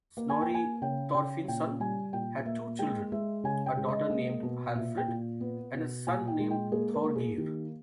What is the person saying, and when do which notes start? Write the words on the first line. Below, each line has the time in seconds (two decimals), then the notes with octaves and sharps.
Snorri Thorfinnsson had two children; a daughter named Hallfrid, and a son named Thorgeir.
0.17 A#3
0.30 G#5
0.42 G5
0.49 A#3 G#5
0.82 C#3 G5
1.14 C#3 G5
1.48 A#2 G5
1.80 G3 G#5
2.13 A#2 G5
2.45 A#3 E5
2.79 G#3 G5
3.12 G#3 E5
3.44 C#3 G#5
3.66 G5
3.77 G#3
3.88 D#5
4.10 A#3
4.43 B2
4.75 A#2 E5
4.97 G5
5.08 A#2
5.40 B3
5.74 B2
6.07 A#2 G#5
6.28 G5
6.39 G#3
6.51 G5
6.72 A#3 G#4
6.93 A#4
7.04 A#3
7.15 G#4
7.37 D#3 G4